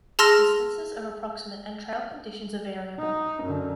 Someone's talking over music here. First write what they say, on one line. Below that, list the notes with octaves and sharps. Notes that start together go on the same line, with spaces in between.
Distances are approximate and trail conditions are variable.
G#4 A5 C6 E6 F6 A#6
D#4
F#2 D3